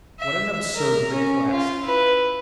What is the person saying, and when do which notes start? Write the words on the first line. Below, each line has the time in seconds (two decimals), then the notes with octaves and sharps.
What an absurd request!
0.19 E5
0.75 A#4
1.12 C#4
1.51 F4
1.83 E4 B4